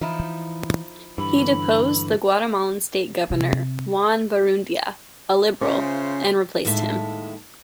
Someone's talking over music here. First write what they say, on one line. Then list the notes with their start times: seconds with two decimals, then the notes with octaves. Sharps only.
He deposed the Guatemalan state governor, Juan Barrundia, a Liberal, and replaced him.
0.01 E3 F3 D#4 E4
1.18 G2 D3 E3 B5
3.30 C3
5.61 C#3 C#4 F4 C5 E5
6.65 D#2 A2 G#3 E5 G#5 A5